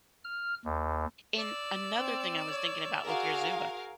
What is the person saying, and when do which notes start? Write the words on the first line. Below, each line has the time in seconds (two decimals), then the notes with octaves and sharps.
and another thing I was thinking about with your Zumba:
0.24 F6
0.65 D#2
1.37 D5 E6
1.98 C4
2.48 C#5
3.05 F#4 G#4 A#4 F5